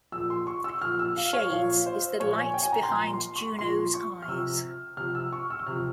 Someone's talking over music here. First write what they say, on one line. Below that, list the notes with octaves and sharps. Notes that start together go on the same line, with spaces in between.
Shades is the light behind Juno's eyes.
A#2 F3 E6
C6
C#6
E6
A#2 F3 F6
E6
F5
C#5
A#2 F3 F5
C5
A#2 F3 C#5
G#5
G5
G#5
A#5
C6
A#2 F3 A#5
C6
C#6
A#2 F3 C6
C#6
F6
C3 F3 E6
C3 F3 F6
E6
C#6
E6
C3 F3 F6